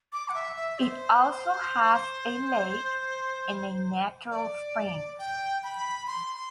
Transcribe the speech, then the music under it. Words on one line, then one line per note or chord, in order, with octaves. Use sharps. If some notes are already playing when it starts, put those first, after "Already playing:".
It also has a lake and a natural spring.
D6
F#5
E5
E5
C5
D5
G5
B5
C6